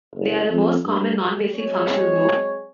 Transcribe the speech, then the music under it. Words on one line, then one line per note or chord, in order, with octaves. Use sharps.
They are the most common non-basic functional group.
F#1
F2
G2
F#3 G#3 C4 G#4 C#5